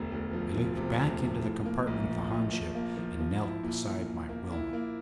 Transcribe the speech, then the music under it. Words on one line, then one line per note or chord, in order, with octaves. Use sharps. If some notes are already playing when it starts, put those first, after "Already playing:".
I leaped back into the compartment of the Han ship and knelt beside my Wilma.
Already playing: E1 D2
D2
F3
F3
C3
D2
F3
A2
A#3
A#1
F3
A#1
F3
A#3
F3
F3
E4
A#2
A#2
A#2
A#3
E4
A#3